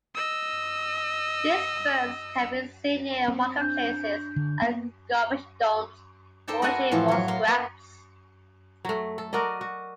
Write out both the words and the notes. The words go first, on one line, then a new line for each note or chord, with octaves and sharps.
These birds can be seen near marketplaces and garbage dumps, foraging for scraps.
D#5 E6
C4
D4 G6
D3
A#3 B3
D#4 A4 C5 D5 G5 A5
F#4 A#4 B4 E5 F#5 G#5
A2 E3 F3 C4 F4 G4
F#3 C#5
A#3 F5 C6
A#3 B3
F#3 A3
A4
F#4 A#4 D5 D#5
F#4